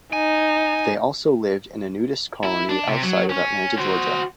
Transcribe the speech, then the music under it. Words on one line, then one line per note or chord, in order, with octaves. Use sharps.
They also lived in a nudist colony outside of Atlanta, Georgia.
D#4 G#5
E4
D4
C3
F#3
C#4
F#4 C5